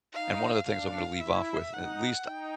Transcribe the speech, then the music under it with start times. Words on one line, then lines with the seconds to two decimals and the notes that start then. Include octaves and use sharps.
And one of the things I'm gonna leave off with, at least
0.14 D#4 F5
0.67 D4 F5
1.20 E4 E5
1.72 D#4 F#5
2.25 D#4 G5